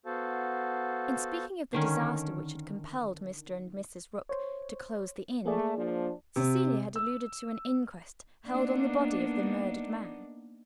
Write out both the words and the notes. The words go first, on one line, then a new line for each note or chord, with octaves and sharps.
In speaking of the disaster which had compelled Mr. and Mrs. Rook to close the inn, Cecilia had alluded to an inquest held on the body of the murdered man.
B3 F#4 A4 C5 F5 A5
D3 D#3 C#4
C5 C#5
A3 A#3 G#4 D5
F3 D4
C3
E6
A#3 B3 D4 D#4